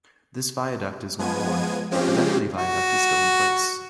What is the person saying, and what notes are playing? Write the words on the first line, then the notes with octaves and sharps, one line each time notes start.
This viaduct is no more, but the Bennerley Viaduct is still in place.
F3 G#3 B3 G#6 D#7
F3 G#3 C4 C#4 F4 G4
F#4